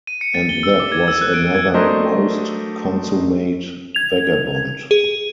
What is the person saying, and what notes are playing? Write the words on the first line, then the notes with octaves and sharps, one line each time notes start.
And that was another most consummate vagabond!
D#7
C#7
A6
G7
E6
D6
G#6
E6
F#6
D7
G#6
F#3 A3 D4 A#4 C5 D#5
G#6 F7
G#4